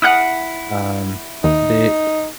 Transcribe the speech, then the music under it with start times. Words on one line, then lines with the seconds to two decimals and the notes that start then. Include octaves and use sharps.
um, Bi
0.02 E4 F#5 D#6 F6 F#6
1.44 D#2 D#4